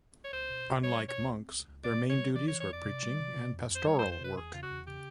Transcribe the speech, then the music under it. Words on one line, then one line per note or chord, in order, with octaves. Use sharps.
Unlike monks, their main duties were preaching and pastoral work.
C#5
C#2 C5
B2
C#2
G3 C#5
B2
C#5
C#2
C4
C#2
C#2
B2 D5
B2
C#5
G3
E3 D5
C#5
E3
C#5
F2 D5
C3
G3
C3
C3
F2
F2
C5
G3 C#5
C5
F2
C5
C3 B4
E2 G#4
C#3 F4
F#4
E2
C#3 G4